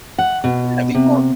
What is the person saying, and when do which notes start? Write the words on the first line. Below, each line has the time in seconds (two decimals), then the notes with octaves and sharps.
Yeah, the e well,
0.18 F#5
0.44 B2
0.95 C3